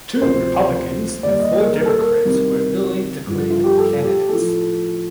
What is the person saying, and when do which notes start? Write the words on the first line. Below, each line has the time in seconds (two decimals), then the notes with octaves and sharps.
Two Republicans and four Democrats were early declared candidates.
0.16 A#4
0.21 D2 C3 F3 C5
1.23 D#2 D3 G3 D5
1.40 D#5
1.57 A#4
1.74 A#4
1.86 A4
1.97 A#4
2.25 C2 C3 D#3
3.27 G2 D3 F3
3.50 F4
3.64 G4
3.78 A4
4.03 G4
4.28 A2 F3 A4